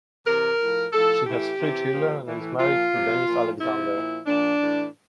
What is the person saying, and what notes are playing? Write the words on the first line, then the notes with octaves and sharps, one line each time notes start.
She has three children and is married to Dennis Alexander.
C3 E3 A#4
A2 F3
A2 F3 A4
A2 E3 G4
C3 E3
A#2 F3
A2 E3
A#2 F3 F4
C3 F3
A#2 F3
C3 F3 E4
A#2 F3
A#2 F3 D4
A2 E3